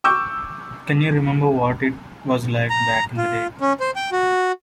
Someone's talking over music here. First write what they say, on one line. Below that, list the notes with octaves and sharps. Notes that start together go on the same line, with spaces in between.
Can you remember what it was like back in the day?
C#6 D6 E6 G6
A#5
F4
C#4
C5
G5
F#4